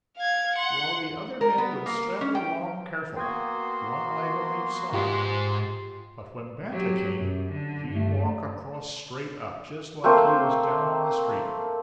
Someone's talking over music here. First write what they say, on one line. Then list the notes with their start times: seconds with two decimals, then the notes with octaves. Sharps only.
Well, the other men would straddle along careful, one leg on each side, but when Banta came he'd walk across straight up, just like he was down on the street.
0.17 F5 G#6
0.56 F#5 C6
1.41 A#4
1.58 B3
1.86 A#3
2.21 C#4
2.35 G5
3.17 A#3 B3 F#4 G5 C6 D#6 G#6
4.94 G#2 F4 G4
6.71 F#3 G4
7.17 F#2
7.52 D3
7.92 G2 A3
10.04 A3 A#3 C4 C5